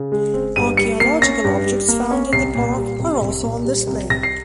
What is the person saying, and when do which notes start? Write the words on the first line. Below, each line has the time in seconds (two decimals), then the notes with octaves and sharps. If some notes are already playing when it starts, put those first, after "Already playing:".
Archaeological objects found in the park are also on display.
Already playing: C#3
0.12 G#3
0.34 C4
0.56 G2 D#7
0.77 G3 C#7
1.00 A#3 C7
1.22 C#4 A#6
1.44 G2
1.66 G3
1.89 A#3
2.11 C#4
2.33 C2 C7
2.54 A#2
2.77 G3
3.00 C2
3.22 C2
3.43 A#2
3.65 G3
3.87 C2
4.10 C2 A#6
4.23 C7